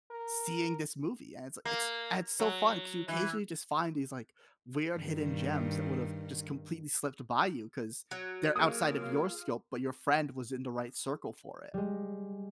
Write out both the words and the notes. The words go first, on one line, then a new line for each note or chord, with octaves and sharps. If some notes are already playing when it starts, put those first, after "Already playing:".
seeing this movie, and it's it's it's so fun 'cause you occasionally just find these, like, weird hidden gems that would've just completely slipped by you 'cause they're outside of your scope, but your friend was in the right circle for it.
A#4
A#3
F#3
E3
G2 D#3
F#3
A#3 F4 G#4 F5 D#6
G3 G#3